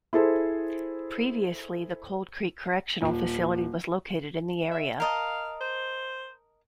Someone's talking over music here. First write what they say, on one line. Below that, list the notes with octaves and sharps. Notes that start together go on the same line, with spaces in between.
Previously the Cold Creek Correctional Facility was located in the area.
E4 G#4 A4 C5
D#1
E5
A#4 D#5 F5 A5
C5